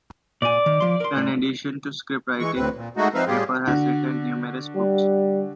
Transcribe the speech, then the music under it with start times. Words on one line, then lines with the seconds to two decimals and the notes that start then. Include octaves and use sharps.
In addition to scriptwriting, Shaffer has written numerous books.
0.42 A#2 D5 G#5
0.66 D#3
0.80 F3 C6
1.00 A#4 C6
1.16 A2 D5
2.39 E3 G#3 C#6
2.55 D2 A2 C4 B4
2.76 A#2
2.97 G#3 A3 D#4 F#4
3.14 F3 C4 D#4 B4 E5 F5
3.27 A2 G3 F4 G4 G#4
3.67 D3 F#4
4.75 G3